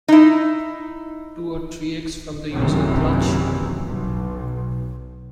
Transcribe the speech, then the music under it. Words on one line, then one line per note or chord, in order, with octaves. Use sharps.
Two or three eggs form the usual clutch.
D#4 E4
A#1 F#2 C3 D#3 E3
B1